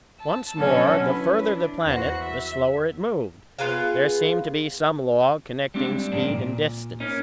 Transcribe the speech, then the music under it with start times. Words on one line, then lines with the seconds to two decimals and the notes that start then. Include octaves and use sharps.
Once more, the further the planet the slower it moved; there seemed to be some law connecting speed and distance.
0.19 A5 E6
0.58 B2 D3 F#3 C#4 D4 A4
1.03 C#4 E4 B4
1.51 D4
1.85 E2 F#4 C5 F#6
2.20 E5
3.59 B3 F4 G#4 F5
5.74 G3 G#3 C4 D4
6.12 F2 G#2 A#3 D4
6.27 A#2
7.00 A#3 C#4 D#4